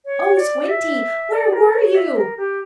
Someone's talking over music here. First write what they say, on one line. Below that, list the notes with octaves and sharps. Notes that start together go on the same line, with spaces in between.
"Oh, Squinty, where were you?"
C#5
D5
E5
D5
A#4
C#5
E5
A#4
G4